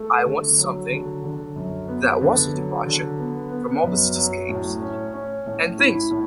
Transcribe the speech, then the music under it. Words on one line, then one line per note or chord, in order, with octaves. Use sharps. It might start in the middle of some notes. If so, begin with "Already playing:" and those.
I wanted something that was a departure from all the cityscapes and things.
Already playing: A3
D3
F#3
D3
D3
F#2
B3
D3
F#3
D3
B3
B3
F#2
F#3
A2
C#4
C#4
A2
E4
A2